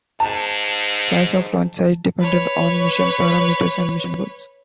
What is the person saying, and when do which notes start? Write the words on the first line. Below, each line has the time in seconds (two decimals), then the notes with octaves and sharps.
Choice of launch site depended on mission parameters and mission goals.
0.20 G#2 A5
2.20 B4 C#5